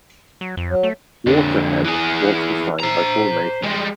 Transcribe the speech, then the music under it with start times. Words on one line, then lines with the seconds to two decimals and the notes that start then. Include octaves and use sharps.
Water Head was designed by Paul Mason.
0.41 F#3
0.57 F2
0.70 F#3
0.83 A3
1.26 F2 D3
1.85 E3 G#4
2.80 C5 A#5
3.63 G3 G#3